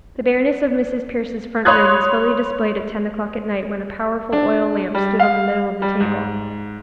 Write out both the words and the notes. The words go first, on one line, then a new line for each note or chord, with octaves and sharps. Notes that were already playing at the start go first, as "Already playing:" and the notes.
The bareness of Mrs. Pearce's front room was fully displayed at ten o'clock at night when a powerful oil lamp stood on the middle of the table.
C#5 B5 C6 D#6 F#6 G#6
D4
G3
F5
G3
G#2